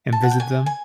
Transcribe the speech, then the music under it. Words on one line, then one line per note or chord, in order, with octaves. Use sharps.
and visit them.
A5
F#5
G5
G#5
G#5